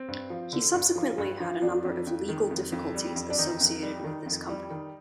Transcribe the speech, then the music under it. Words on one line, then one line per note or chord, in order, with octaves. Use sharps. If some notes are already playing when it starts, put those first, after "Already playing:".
He subsequently had a number of legal difficulties associated with this company.
Already playing: C4
G2
F3
D3
G2
F3
G2
F3
F2 D4
F2
F2
D#3
F2
F2
G3
F2
D4
D#3 D#4
F2
G3
D#3
F2
G3
D#3